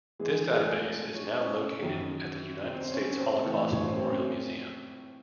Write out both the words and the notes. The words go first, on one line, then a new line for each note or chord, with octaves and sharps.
This database is now located at the United States Holocaust Memorial Museum.
G#2 E3 G#3 G#4
G#4
A3 A4
C#5
C5
C#4 C#5
F#2 D#3
C4 C5
C5
C#4 C#5
C#5
C4 C5
A2 E3 A3 A4
C#5
C5
C#4 C#5
C4 C5